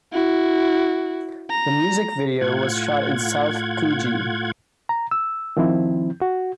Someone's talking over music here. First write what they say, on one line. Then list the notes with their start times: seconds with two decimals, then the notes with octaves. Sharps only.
The music video was shot in South Coogee.
0.13 E4 F#4
1.51 A#5
2.41 A2 F4 F#5 G#6
4.89 A#5
5.11 E6
5.57 D#3 F3 C4 E4
6.22 F#4